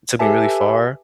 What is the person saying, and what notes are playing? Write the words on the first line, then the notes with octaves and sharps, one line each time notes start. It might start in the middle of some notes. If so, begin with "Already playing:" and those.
took me really far,
G4 A4 B4 E5 G#5 A5